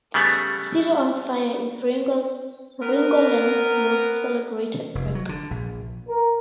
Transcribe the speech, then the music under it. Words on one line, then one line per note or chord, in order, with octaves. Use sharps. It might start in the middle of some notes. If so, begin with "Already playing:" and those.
"City on Fire" is Ringo Lam's most celebrated work.
C#3 G3 A3 B3
B3 C4 A#4
F1
F#3
D3
A#1
A#4